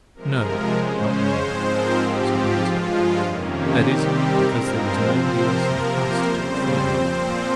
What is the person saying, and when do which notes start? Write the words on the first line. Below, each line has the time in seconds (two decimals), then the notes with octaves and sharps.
"No, not now!" was her answer; that is, because there was nobody else in the house to take freedoms with her.
0.15 C3 F3 G#3 A#4
0.76 C#3 G#3 C#4 C5
1.06 C#5
1.37 G#2 F3 G#3 C4 C5
1.68 A#4
1.99 G#2 F3 C4 G4
2.29 F4
2.59 G2 F3 G#3 F4
3.21 F2 C3 D#3 A#3 C#4
3.51 G4
3.82 C3 D#3 G3 C4 G4
4.13 A#4
4.43 G2 F3 G#3 C4
4.74 C5
5.04 C3 F3 C4 C5
5.35 A#4
5.65 C3 F3 A#3
5.96 C5
6.26 F2 C#3 G3 C4 C5
6.88 A#2 F3 C4